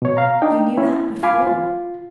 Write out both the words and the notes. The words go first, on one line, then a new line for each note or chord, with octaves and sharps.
"You knew that before."
B2 C#5
F5 A#5
D4 D#4 G5
C#4 E4
F4 F5 G#5 B5 D6
F4